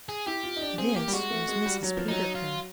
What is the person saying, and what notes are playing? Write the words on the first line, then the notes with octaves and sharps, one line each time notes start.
THIS was Mrs. Peterkin.
G#4
E4 G4
F4
D#4
D4
C4 G#4
A#3 G4
G3
G#3 F#4
A3
G#3
G3
F#3
F3
F#3 D#4
F4